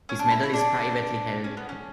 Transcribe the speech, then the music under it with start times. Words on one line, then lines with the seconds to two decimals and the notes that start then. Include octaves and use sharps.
His medal is privately held.
0.09 C#4
0.19 D4
0.31 E4
0.43 E4
0.54 D4
1.44 C#4
1.57 B3
1.69 C#4